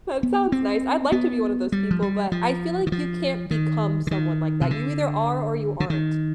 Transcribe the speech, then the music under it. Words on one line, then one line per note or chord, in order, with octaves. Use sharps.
That sounds nice. I'd like to be one of those people, but I feel like you can't become someone like that, you either are or you aren't.
B3
C4
B3
G3
F3
G3
F3
D#3
F3
D#3
D3
D#3
C3
D3
D3
D#3